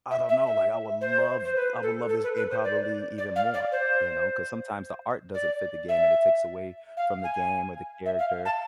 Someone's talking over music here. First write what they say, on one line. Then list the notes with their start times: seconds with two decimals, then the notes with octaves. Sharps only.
"I don't know, like, I would love I would love this game probably even more," you know? 'Cause sometimes the art doesn't fit the game, and it takes away from the game, or the character,
0.10 E5
0.28 E5
0.46 E5
1.01 C5
1.44 C5
1.55 B4
1.82 A4
2.09 A4
2.23 B4
2.36 B4
2.50 C5
2.63 D5
3.17 D5
3.35 F5
3.53 D5
3.71 C5
5.34 D5
5.88 E5
6.96 F5
7.23 G#5
8.05 E5
8.18 F5
8.45 A5